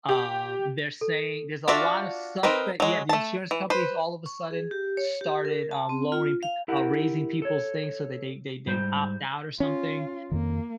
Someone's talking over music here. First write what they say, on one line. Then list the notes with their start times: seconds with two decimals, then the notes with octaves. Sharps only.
um, they're saying there's a lot of suspect Yeah, the insurance companies all of a sudden started, uh, lowering pe uh, raising people's things so that they they they opt out or something,
0.09 G4
1.01 A4
1.68 D4 F4 F#4 D5 E5
2.43 C4 D#4 A#4 B4
2.80 F#3 G#3
3.09 A3 A5
3.51 E3
3.70 B4 C5
4.26 C#6
4.51 G#4
4.71 G4
4.97 C#5
5.21 G4
5.45 A#4
5.71 A5
5.89 C4
6.12 F4
6.43 F5
6.68 E4 G4 A#4 F#5
7.42 A4 C#5
8.66 G#2 G3 C5
9.60 C#4 F4
10.31 F2 D#3 A#3